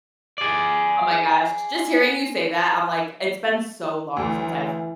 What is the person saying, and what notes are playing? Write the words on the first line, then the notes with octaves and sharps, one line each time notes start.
Oh my gosh, j j just hearing you say that, I'm like, it's been so long since I've m
G#4 D5
D2 E3